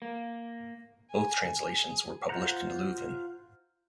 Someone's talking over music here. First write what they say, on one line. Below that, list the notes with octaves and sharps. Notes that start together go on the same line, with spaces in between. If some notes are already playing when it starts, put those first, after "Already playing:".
Both translations were published in Leuven.
A#3
G#5
G#4
F4 C5 F#5 A#5